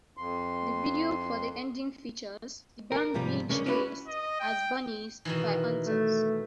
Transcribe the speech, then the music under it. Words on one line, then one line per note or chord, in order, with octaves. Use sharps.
The video for The Ending features the band being chased as bunnies by hunters.
F2 C6
A#4
G#2 C3 F3 G3
C#3 G#3 A#3 C#4 D4
C#4 D4 E4 F#4 G4 B4
D#5
G5
B2 D#3 E3
A3